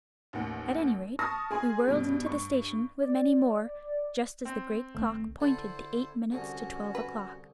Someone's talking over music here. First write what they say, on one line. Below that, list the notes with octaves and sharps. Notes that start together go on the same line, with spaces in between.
At any rate, we whirled into the station with many more, just as the great clock pointed to eight minutes to twelve o'clock.
A1 D#2 F#5
A5 C#6 D#6 F6 A#6
G#4 G#5 C6
G2 B2 G3
G2 C#6
D5
C4
C2 D#3 A3
D3 E4 A4 C5 B5
C2 D3 C#4 F#4
B4